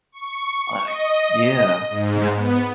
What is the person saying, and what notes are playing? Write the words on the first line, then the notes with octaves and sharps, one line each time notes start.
Like Yeah, yeah.
C#6
D#5
G#2
B3